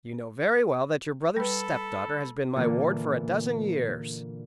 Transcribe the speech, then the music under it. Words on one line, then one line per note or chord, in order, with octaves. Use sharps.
"You know very well that your brother's stepdaughter has been my ward for a dozen years."
G3 A4 B4 B5
A#2 D3 E3